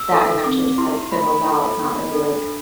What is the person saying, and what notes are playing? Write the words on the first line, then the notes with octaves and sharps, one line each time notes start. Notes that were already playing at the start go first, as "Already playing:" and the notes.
that eventually just, like, fizzles out? It's not really, like,
Already playing: E6
A4
C4 D6
E4 G4 C6
A3 B5
E4 A4
B3
D4 A4
D4